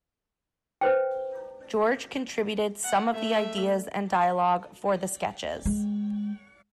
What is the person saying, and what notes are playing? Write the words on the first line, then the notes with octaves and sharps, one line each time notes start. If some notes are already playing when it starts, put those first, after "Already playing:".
George contributed some of the ideas and dialogue for the sketches.
B4 C5 G5
F#5
A3 E5
G#3